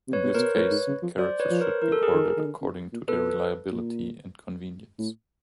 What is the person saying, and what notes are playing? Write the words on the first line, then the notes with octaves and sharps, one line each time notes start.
In this case, the characters should be ordered according to their reliability and convenience.
C3
B4 C#5
B2
A#2 A#4 C5
B2
A2 B4 C#5
G#2
C#3
F3
F#3 C5 D5
B4 C#5
F3
A#4 C5
E3 A#4
A4
G#4 A#4
D#3
D#3
D3
C#3
A#2
B2 A4 B4
A#2
A2